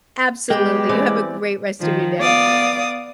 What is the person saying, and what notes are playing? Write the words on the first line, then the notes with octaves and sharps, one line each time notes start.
Absolutely, you have a great rest of your day.
G#3 B3 G4 G5
E3 C4 D5
D#3 F3
B3 D5 F5 D#6